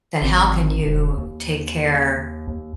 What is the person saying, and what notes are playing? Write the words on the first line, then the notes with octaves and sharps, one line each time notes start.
then how can you take care
G#1
E1
D#2
D#2